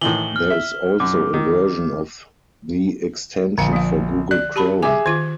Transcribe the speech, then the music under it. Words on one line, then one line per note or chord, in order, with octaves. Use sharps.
There is also a version of the extension for Google Chrome.
A2 D#3 E3 F#7 G7
F6
E5
F#2 D6
D#3
A#1 D3 F5 C#7
F3 F5
D5 F#6
G4 A5 B5
G#4 E5 G#5 D6
D#3 F4 G#6